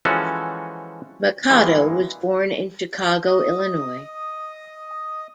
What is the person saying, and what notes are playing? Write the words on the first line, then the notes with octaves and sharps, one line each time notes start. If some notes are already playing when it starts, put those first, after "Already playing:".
Machado was born in Chicago, Illinois.
E3 F3 G#3 C#4 F#4 A4
G2 E3 G#3 A#3 B3
D#5 D#6